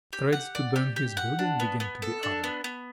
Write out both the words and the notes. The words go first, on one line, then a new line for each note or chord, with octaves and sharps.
Threats to burn his building began to be uttered.
G4
F#5
D5
G4
G4
F#5
D4
B3
B3
A4
D4
B3
B3